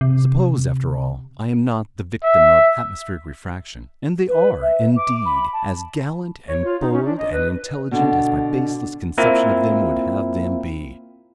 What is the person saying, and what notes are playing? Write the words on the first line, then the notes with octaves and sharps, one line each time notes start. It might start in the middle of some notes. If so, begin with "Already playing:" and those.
Suppose, after all, I am not the victim of atmospheric refraction, and they are, indeed, as gallant and bold and intelligent as my baseless conception of them would have them be!
C3
E5
B4
E5
D6
B5
A5
C#5
F4
D#4
C#4
D4
D#5
B4
B2 D3
A#3 C4 E4 F4 A#4